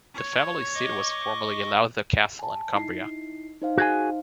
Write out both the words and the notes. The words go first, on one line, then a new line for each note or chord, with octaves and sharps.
The family seat was formerly Lowther Castle in Cumbria.
C#5
D#5 C#6 D6
G#5 A5
D#4 E4 C7
D#4 C5 F5
F#4 G#4 G#5